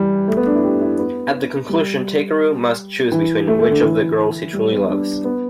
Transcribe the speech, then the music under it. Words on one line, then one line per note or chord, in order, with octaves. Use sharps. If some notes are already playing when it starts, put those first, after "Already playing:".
At the conclusion, Takeru must choose between which of the girls he truly loves.
Already playing: E3 G3
A3
B3
D4
E4
G4
E4
B3
G3
E3
A3
A3
D3
E3
G3
B3
D4
B3